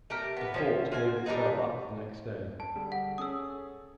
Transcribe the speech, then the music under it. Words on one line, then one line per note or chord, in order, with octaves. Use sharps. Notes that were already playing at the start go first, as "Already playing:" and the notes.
The fort gave itself up the next day.
A3 G4 A#4
B3 B4
F3 C#4 E5
F4 F#4 G#5
G3 D4 D#4 G#4
A5 D7
D3 G3 G#4
F#5
C#4 G#4 A4 D#6 E6